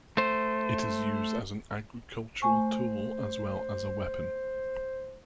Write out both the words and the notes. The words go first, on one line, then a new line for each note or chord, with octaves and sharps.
It is used as an agricultural tool as well as a weapon.
A3 C5
A3 C5 G#5 C#6